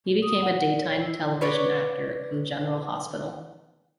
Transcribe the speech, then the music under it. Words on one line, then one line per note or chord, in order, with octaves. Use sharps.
He became a daytime television actor on "General Hospital".
D#6
F#5
D5
C#5
E4
B4 C#5 D5